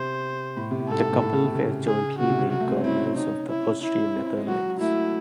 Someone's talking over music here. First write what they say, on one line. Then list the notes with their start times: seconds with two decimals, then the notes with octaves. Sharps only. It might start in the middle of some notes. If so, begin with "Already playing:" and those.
The couple were jointly made Governors of the Austrian Netherlands.
Already playing: C3 C5
0.57 A2
0.71 C3
0.80 A2
0.88 G#2 A4
1.13 G#2
1.22 A2
1.33 A2
1.44 C3
1.54 C#3
1.86 C#3 G#4
2.19 C#3 F#4
2.30 C3
2.39 C#3
2.52 F#3 F#4
2.60 A3
2.68 C4
2.76 C#4
2.84 C4 E4
3.17 C#4 D#4
3.50 E4
3.82 E4
4.15 C4
4.37 G#3
4.48 F#3 F#4
4.80 A3 E4